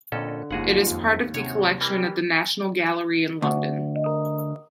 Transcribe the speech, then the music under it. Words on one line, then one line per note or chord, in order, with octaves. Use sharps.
It is part of the collection at the National Gallery in London.
F2 A#2 D3 C#4 A4
F#1 D#2 G#2 F4 F#4 G#4 F#5
F2
C3 C4 C#4 F#4 C#5
E3 G3 A#3 G4
D2